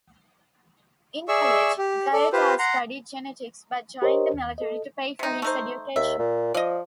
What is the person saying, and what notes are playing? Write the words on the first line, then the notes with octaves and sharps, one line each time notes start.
In college, Gaeta studied genetics but joined the military to pay for his education.
G#4 D5 E5 C#6 E6
G4
A4 D5
F4 G4 B4 C5
F#5 A#5 C6
G4 A#4 C5 C#5 D#5
D#2
A4 D#5
C3 D#4
A3 D#4 C5
D#2 E5
A#2
F3 D5 D#5